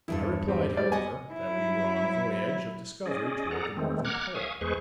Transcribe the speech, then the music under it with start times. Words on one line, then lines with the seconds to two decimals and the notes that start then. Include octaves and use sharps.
I replied, however, that we were on a voyage of discovery towards the northern pole.
0.08 E2 G2 E4 A4
0.48 C4 G4
0.77 G3 D5
0.92 B3 D#5 F#5 G#5
1.34 F#3 E4
3.06 C#4 G#4 D5 D#5
3.51 G#4 A4 D5 F#5 A#5
3.77 D#3 G#3 A3 C4
4.05 F#5 A#5 D6 F6 F#6 G#6
4.34 E5 F5 G#5 C#6 D#6
4.61 E2 G#3 G#4 B4 C5 C#6